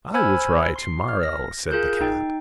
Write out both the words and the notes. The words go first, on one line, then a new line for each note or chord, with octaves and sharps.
"I will try to-morrow," said the cat.
C5 G#5 B5 E6 F6 G#6
C6 C7
F6
A#6
F4 G#4 A#4 F#6 G6
D#4 G5